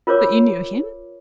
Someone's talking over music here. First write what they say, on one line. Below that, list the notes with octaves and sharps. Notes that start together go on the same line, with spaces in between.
"But you knew him?"
F4 A#4 C5 C#5 D6